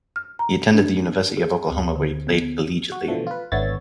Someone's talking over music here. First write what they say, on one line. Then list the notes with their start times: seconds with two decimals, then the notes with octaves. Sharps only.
He attended the University of Oklahoma, where he played collegiately.
0.16 F6
0.39 A#5
0.74 D4
1.37 G#4
1.71 D2
1.96 D3
2.27 B3
2.92 F#4
3.08 B2 D3 E3 F3 A3
3.27 F4 B4
3.52 G#1 D3 B3 C#5 E5 A6